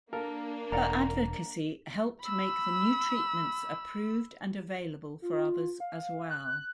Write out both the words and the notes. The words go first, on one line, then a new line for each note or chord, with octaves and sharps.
Her advocacy helped make the new treatments approved and available for others as well.
A#3 D4 A4 A#4 F5
E1 D5 F5 F#5 A#5
B5 E6
F4
F5
F#6
F#6